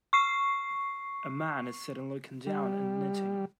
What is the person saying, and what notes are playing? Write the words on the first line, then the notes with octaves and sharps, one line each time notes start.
A man is sitting looking down and knitting.
C#6 C7
G3